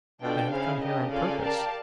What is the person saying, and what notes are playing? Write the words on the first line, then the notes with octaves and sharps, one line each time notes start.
I have come here on purpose.
B2 D4 F4 A4 D5 G5
C#3 E4 G#4 C5 F5
D4 G4 A#4 D#5
F4 A4 D5 F5 G#5
G4 A#4 D5 F5 A5